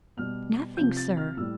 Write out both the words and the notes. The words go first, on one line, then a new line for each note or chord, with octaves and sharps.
"Nothing, sir."
B2 G3 F6
C3 F3 G6
A6
F6
A2 G3 E6